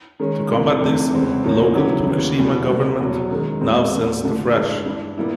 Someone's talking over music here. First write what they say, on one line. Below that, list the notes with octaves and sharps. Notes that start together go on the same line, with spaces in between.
To combat this, the local Tokushima government now sends the Fresh!
D#3 G#3 C#4
C2 C3 E3
F2 C3 E3 A3
E2 C#3 E3 G#3 C4
E2 C#3 F3 A#3 C#4
C#3 F#3 B3 E4 G4
D#2 C#3 E3 G3 B3
F1 E2 B2 G3
C2 B2 G3
E2 B2 F#3
F#2 D#3 G#3
E2 B2 G#3 C4
E1 E2 B2
D3 F3 A3 D4
G2 E3 G#3
G2 E3 G3
A#2 G3 B3 E4